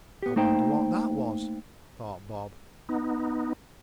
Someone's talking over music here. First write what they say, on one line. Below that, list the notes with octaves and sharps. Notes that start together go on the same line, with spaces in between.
"I wonder what that was?" thought Bob.
B3 G4
A3 A#3 D#4 C5 G5
B3 D#4